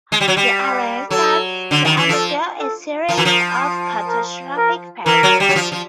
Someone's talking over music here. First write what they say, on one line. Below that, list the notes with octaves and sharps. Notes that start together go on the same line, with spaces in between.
The Array starts to undergo a series of catastrophic failures.
G#3
G3
F#3
G3
F#3 A4
D3
D#3
E3
F3 A4
A4
F3 A#4
E3
F3
A#4
A#4
E3 A#4
F#3
G3
F#3
F3
F3